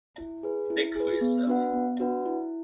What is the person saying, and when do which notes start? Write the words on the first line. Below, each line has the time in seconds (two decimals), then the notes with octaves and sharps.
Think for yourself.
0.18 E4
0.43 G#4 B4
0.70 E4
0.95 G#4 B4
1.21 B3
1.47 D4 F#4 B4 F#5
1.73 B3
2.00 D4 F#4 B4 F#5
2.26 E4